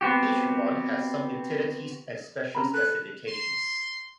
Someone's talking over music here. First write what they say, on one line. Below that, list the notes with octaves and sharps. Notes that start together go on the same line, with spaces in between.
Each one has some utilities and special specifications.
B3 C4 F#4 G4
C#4 A#5 B5
A4 F#6
C6